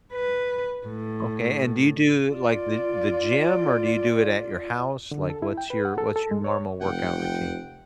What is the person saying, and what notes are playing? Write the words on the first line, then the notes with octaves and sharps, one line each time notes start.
okay, and do you do, like, the the gym, or do you do it at your house? Like, what's your what's your normal workout routine?
B4
A2
F4 D5
D3
A4
E4
G5
B4
F#5
A4
A4
G#3
C#5
F1 F#5 G5